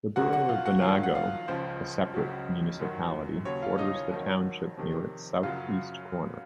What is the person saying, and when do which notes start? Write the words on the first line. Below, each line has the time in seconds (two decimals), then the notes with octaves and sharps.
The borough of Venango, a separate municipality, borders the township near its southeast corner.
0.16 C#2 C3 D#3 F#3 F#4 F#5
0.33 F#4 F#5
0.49 F4 F5
0.65 F#4 F#5
0.81 F2 D#3 F#3 F4 F5
1.03 F#5
1.15 F4 F5
1.48 C#2 C#3 F3 C5
2.14 C#2 C#3 F#3
2.80 F#2 D#3 F#3
3.45 D#2 C#3 F#3 C#5
3.62 F4 F5
3.78 D#4 D#5
3.94 C#5
4.11 F2 D#3 F#3
4.77 F2 C3 D#3
5.43 F#2 C#3 F#3 F4 F5